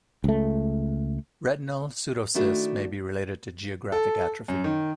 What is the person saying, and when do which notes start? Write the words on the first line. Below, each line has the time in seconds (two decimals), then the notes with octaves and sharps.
Retinal pseudocysts may be related to geographic atrophy.
0.24 C#2 A3
2.34 D#3 A3 D4 E4 F#4 A4
3.92 A4
4.48 F#2
4.64 D#3